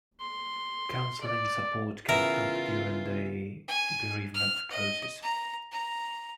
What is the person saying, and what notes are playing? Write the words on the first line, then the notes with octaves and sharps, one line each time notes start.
Counseling support can help during the bereavement process.
C6
D5
C#3 E3 B3 E4 F4 A#4
G#5
F6
D#5
A#5
A#5